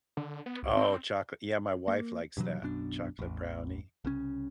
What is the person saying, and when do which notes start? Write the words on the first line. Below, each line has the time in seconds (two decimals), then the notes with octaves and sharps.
Oh, chocolate. Yeah. My wife likes that. Chocolate brownie.
0.17 D3
0.46 B3
0.63 C2
0.77 C4
1.88 A#3
2.37 G2 B2 E3 F#3
2.62 B1 F#2 B2 D4
3.19 A1 E2
4.05 C2 C#3 C#4